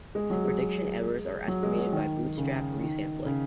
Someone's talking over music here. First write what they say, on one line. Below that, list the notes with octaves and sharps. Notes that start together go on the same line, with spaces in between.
The prediction errors are estimated by bootstrap re-sampling.
G#3
F#3
G#3
F#3
G#3
F#3
D#3
C#3
D#3
C#3